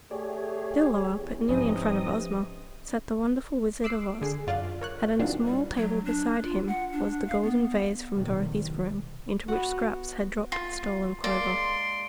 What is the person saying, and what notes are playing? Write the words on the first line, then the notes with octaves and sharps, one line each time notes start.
Still lower, but nearly in front of Ozma, sat the wonderful Wizard of Oz and on a small table beside him was the golden vase from Dorothy's room, into which Scraps had dropped the stolen clover.
A3 G4 G#4 C#5 D5
E2
G#2 C3 F3 C#4 D#4 B4 D#5 D#6
D6 E6 F#6 C7 D7
D3 G#4 C7
F#2 F4 D5 F6 F#6 A6
A#4 C#5 F#6
A#2 E3 F#3 C4 D4 D#4
G3
F#3
D4
F4
F#5
D4
F5
B3
B1 E2 A2 C3 D#3 G3
B3 F#4
F4
G#3 A#3 D5 C6